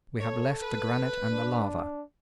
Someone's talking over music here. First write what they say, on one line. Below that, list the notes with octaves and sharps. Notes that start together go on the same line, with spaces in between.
We have left the granite and the lava.
A4 C#5
B4
D4